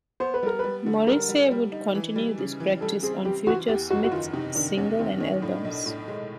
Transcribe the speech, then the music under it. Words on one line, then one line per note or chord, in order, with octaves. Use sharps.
Morrissey would continue this practice on future Smiths singles and albums.
B3 C5
B4
G3 A#4
G3 B4
D3
G3 A#4
G3
G3
D#4
E3
G3
C#3
E3
G3 A4
C4 G#4
G3 G4
E3 F#4
E2 G4
F#1 F#4
F#4
D#3 F4
C3 D#4
D#3 D4
E2 C#4
D#3 C4
D#3 C#4
A2 D4
B1
A2
G#3